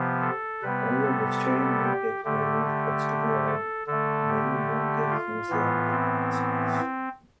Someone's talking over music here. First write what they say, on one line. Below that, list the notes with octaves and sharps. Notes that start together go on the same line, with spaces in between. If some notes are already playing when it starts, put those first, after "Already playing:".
Although vegetarian mooncakes may use vegetable oil, many mooncakes use lard in their recipes.
Already playing: C3 F3 B3
A4
C3 G3 B3 B4
A4
G4
D3 A3 G4
G4
A4
D3 A3 A4
G4
F4
A2 E3 B3
C4
C4